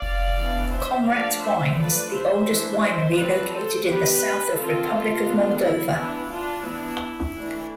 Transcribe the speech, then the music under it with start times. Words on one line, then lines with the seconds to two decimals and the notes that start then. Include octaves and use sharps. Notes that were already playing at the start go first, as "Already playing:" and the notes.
Comrat Wines - the oldest winery located in the south of Republic of Moldova.
Already playing: D5 F5
0.40 E3 B3 D4
0.74 C5 E5
1.09 F3 A3 D4 D5 F5
1.44 C5 E5
1.78 F3 A3 D4 B4 D5
2.13 C5 E5
2.48 E3 A3 D4
2.83 C5 E5
3.18 F3 C4 B4 D5
3.53 A4 C5
3.87 G3 B3 D4 G4 B4
4.57 F3 C4 F4 A4
5.26 G3 B3 D4
5.62 E4
5.96 E3 B3 D4 E4
6.30 D4 F4
6.65 E3 B3 D4 E4
7.36 E3 A3 D4